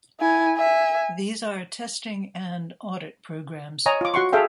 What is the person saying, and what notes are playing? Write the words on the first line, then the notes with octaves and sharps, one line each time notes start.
These are testing and audit programs.
E4 G#5
E5 G#5
C#5 D#5 G#5 A#5
F4 D6
F#4 F#5 C6 C#6
G#4 A4 E5 F5 G5